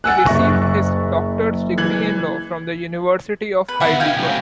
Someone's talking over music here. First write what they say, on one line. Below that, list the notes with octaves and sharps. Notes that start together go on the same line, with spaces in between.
He received his doctor's degree in law from the University of Heidelberg.
F#5 G#5 E6 F#6 A6
F#1 E5 C#6 A#6
E3 G#6 F#7
B4
D2 B3 E4 F#5
C#4 D#4 F5 G5 G#5
C2 F#3
A3 C4